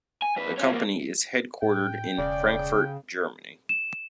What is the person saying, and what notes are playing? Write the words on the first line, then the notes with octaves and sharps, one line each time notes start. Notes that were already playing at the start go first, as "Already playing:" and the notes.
The company is headquartered in Frankfurt, Germany.
G#5
F2 B4
C#4 F4
F2 A#3
A2 G5
E1 C#3 D5
E7